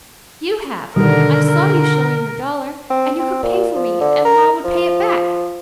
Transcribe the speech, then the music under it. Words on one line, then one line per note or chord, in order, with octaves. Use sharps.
"You have; I saw you showing your dollar, and you could pay for me, and Ma would pay it back."
B2 D3 D#3 G3 A#4
A#4
C4
C4
A#2
F3
D3
A#4
F3